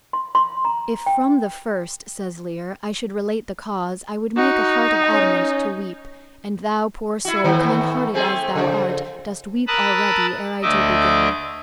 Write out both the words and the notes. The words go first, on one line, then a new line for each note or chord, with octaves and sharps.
"If from the first," says Leir, "I should relate the cause, I would make a heart of adamant to weep. And thou, poor soul, kind-hearted as thou art, Dost weep already, ere I do begin."
C6
C6
A#5
G5
D#4 F#4
C#4
E4 F#4
A2 D#3 B3
A3 C4 G#4
C#3 F3
A#4 A5 B5 D#6 E6 F#6
D2 D3 A3 D#5 E5 D6